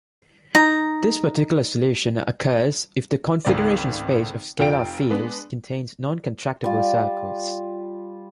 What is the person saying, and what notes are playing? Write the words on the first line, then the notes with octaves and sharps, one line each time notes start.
This particular solution occurs if the configuration space of scalar fields contains non-contractible circles.
D#4 A#5
G#1 C#2 A3 C4 D5
F1 F4 G5 D7
G#3 B3 D4
G3 F4